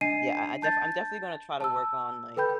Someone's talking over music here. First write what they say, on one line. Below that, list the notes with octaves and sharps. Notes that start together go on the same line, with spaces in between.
yeah, I I defi I'm definitely gonna try to work on, like,
D4 D#5 G#5 C7 D#7
A5 G6 A6
A5 E6
A4 B4 G5 B5 G6